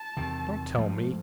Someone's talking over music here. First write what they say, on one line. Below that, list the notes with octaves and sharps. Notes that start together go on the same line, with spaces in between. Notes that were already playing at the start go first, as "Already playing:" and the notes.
'Don't tell me!
Already playing: A5
E2 C3 D#3
G#2 F3 A3